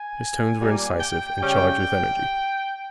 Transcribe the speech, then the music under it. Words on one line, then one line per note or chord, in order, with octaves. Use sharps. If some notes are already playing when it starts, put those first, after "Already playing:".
His tones were incisive and charged with energy.
Already playing: G#5
A#2 G3 A#3
G5
C#3 G3 C#4 G5